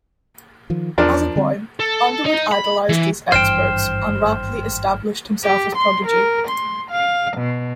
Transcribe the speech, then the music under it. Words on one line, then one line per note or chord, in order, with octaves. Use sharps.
As a boy, Underwood idolized these experts, and rapidly established himself as a prodigy.
D#3 F3
E2 F3 D4 A#4
D3 G3 C4
A4
D#4
B5
E3
G#1 G2 E3 C5 G5 F6 E7
G4
C6
A#4
C6
F5
B2